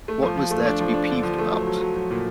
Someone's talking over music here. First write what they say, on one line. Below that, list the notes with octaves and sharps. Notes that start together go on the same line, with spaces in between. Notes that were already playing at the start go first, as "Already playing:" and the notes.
What was there to be peeved about?
A3
F3
F3
A3
D4
F3
D4
D3
F3
A3
F#3
F#3
F#3
F#3
A#2